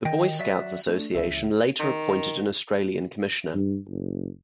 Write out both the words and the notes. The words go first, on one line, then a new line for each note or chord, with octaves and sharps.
The Boy Scouts Association later appointed an Australian Commissioner.
D#3 D#5 G5
F#3 D5 E5
A3 D4
C#2 C#3 E3 E5
D#3
G2
F#1